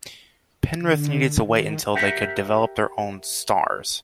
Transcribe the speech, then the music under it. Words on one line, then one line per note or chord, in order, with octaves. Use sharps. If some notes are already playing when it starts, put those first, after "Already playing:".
Penrith needed to wait until they could develop their own 'stars'.
D3
D#3
G4 A#4 E5 F#5 G5